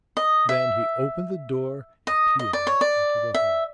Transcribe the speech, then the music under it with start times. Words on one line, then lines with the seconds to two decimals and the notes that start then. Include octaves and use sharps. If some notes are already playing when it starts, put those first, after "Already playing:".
Then he opened the door and peered out into the hall.
0.17 D#5
0.49 E5
2.07 D#5
2.39 D#5
2.53 D5
2.67 C#5
2.81 D5
3.34 E5